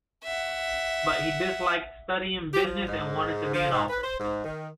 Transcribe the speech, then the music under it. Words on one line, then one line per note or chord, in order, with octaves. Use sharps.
But he disliked studying business and wanted to be an author.
E5 F#5
G4
F3
G#2
F3
G#2
B4
C5
G#2
D#3